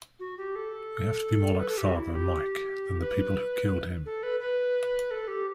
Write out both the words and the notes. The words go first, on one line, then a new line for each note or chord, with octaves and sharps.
We have to be more like Father Mike than the people who killed him.
F#4
G4
A4
B4
A4
G4
F#4
E4
G4
B4
A4
B4
B4
A4
G4